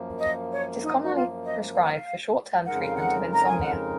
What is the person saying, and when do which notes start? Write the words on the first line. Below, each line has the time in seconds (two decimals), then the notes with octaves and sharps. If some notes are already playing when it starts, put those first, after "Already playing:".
It is commonly prescribed for short-term treatment of insomnia.
Already playing: F#2 F3 A#3
0.20 D#5
0.52 C#5
0.82 D#4
1.03 F#4
1.13 F4
1.44 D#5
1.74 F5
1.82 F#5
1.90 F5
2.66 F2 C#3 G#3 D#4 A#4 F#5
2.81 F5
2.94 F#5
3.33 A#5
3.47 G#5
3.60 F#5